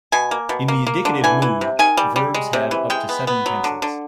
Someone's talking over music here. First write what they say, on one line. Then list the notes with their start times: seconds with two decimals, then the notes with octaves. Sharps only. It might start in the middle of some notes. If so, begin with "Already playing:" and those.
In the indicative mood, verbs have up to seven tenses.
0.12 B2 G#5
0.31 A#3
0.49 B2
0.68 A#3
0.87 A#3
1.05 D3
1.24 E3 G#5
1.42 E3
1.61 C3
1.79 D#3 G#5
1.97 G3
2.16 G3
2.34 G#3
2.53 C3
2.71 E3
2.90 G#3 G5
3.09 B3
3.27 B3
3.46 F#3
3.64 D3
3.82 D3